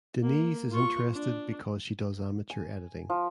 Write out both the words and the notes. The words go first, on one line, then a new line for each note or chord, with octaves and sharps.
Denise is interested because she does amateur editing.
A#3
F4 C#6
D4
G#5
F3